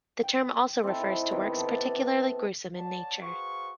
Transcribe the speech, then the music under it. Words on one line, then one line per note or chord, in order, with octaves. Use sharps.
The term also refers to works particularly gruesome in nature.
G5
C4 D#4 E4 A4
C3 D#3 B3
A4 D5
C#5 D5 F#5 A5
F#4 G#4 B4 C5 F5 C#6